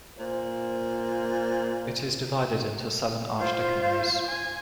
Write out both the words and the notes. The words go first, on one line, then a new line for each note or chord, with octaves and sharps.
It is divided into seven archdeaconries.
A#2 C5
F4 C5
G#5